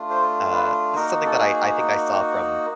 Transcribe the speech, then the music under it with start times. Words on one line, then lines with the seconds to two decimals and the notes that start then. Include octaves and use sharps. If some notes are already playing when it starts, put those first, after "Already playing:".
uh this is something that I I think I saw from,
Already playing: A3 D4 F4
0.10 C5
0.53 B4
0.95 A#3 D#4 F#4 A#4
1.26 A4
1.38 G#4